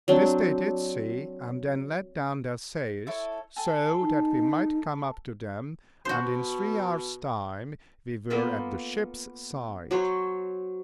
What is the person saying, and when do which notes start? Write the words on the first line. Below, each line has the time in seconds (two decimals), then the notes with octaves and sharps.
This they did see, and then let down their sails so that we might come up to them, and in three hours time we were at the ship's side.
0.08 F#3 C4 D4
3.07 E4 A4 C#5
3.56 G#4 A4
4.00 D#4
6.05 B2 F#4 C5
8.30 A#3 B3 F4 A4
9.91 F#3 F#4 C5 C#5